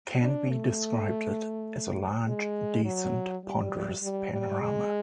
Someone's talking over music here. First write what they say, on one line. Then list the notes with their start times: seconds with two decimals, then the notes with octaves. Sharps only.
Canby described it as "a large, decent, ponderous panorama".
0.22 D4
0.51 A3
2.27 G#3
2.84 F#3
3.44 G3
4.02 G3
4.32 G3
4.60 G#3